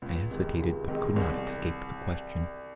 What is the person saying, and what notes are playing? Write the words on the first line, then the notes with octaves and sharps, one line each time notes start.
I hesitated but could not escape the question.
C#2
C3 D#3 G#3
C#2
C3 D#3 G#3
C2